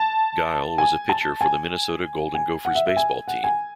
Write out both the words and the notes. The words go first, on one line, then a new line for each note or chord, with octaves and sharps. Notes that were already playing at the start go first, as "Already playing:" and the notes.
Giel was a pitcher for the Minnesota Golden Gophers baseball team.
Already playing: A5
G#5
A5
G#5
G#5
F#5
E5
E5
G#5
F#5
G#5